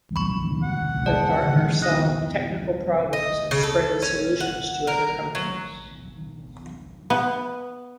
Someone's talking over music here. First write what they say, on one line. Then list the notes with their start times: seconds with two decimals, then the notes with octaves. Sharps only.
The partners solved technical problems and spread the solutions to other companies.
0.16 B5 C#6
0.63 F#5
1.06 G#3 D5 A5
1.82 D#5 F#6
3.13 D#5
3.51 C#3
3.63 A4
4.02 C#4
4.40 F#5
4.87 A#4
5.35 F#3
7.10 B3